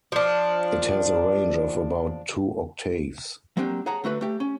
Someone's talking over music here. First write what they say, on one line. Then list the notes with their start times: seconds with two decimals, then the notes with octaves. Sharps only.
It has a range of about two octaves.
0.12 F3 D4
3.57 F#3 A#3 C4 D4 G4
3.86 G#4 C#5 F#5 A5 A#5
4.04 D3 A3 F#4 B4
4.21 A3 G4
4.40 C#4